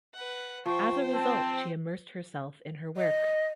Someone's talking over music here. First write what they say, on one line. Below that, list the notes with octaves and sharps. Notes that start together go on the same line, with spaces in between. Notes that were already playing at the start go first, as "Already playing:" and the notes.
As a result, she immersed herself in her work.
B4 F#5
F3 C5 G5 C#6
C4 A5
D#5